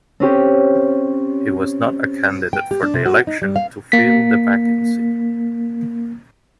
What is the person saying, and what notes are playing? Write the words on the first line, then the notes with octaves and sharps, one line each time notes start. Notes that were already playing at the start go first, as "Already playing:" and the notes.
He was not a candidate for the election to fill the vacancy.
C4 C#4 G4
G5
G4
D4
C3
F#4
D#4
G3
F5
A#3 B6